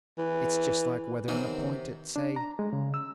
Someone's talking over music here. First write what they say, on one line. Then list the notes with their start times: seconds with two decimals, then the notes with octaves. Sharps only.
It's just like weatherin' a point at say.
0.18 E3
1.28 C3 D#3 E3 F#3 B3
2.16 D4
2.36 A#5
2.59 G#3
2.73 C#3
2.94 E6